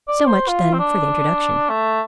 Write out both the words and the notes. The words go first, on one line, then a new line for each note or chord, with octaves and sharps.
So much, then, for the introduction.
D5
C5
F4
C4
D4
A3